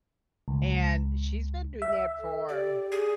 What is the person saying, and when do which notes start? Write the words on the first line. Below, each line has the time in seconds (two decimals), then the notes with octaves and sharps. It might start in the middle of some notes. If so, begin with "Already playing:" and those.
And she's been doing that for
0.48 C#2
1.82 E5
2.19 A4
2.49 G4 D5
2.92 G#4